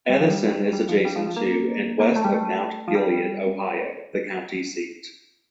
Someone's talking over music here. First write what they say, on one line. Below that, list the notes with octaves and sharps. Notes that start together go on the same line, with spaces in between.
Edison is adjacent to and west of Mount Gilead, Ohio, the county seat.
G3
F3
G3
G3
F3
G3
F3
F3
A#3
A#3
A3
G3
A3
F3
G3